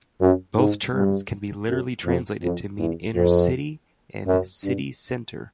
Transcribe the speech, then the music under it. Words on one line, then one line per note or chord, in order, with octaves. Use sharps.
Both terms can be literally translated to mean "inner city" and "city centre".
F#2
G#2
G2
F#2
F2
F2
E2
F2
F#2
G2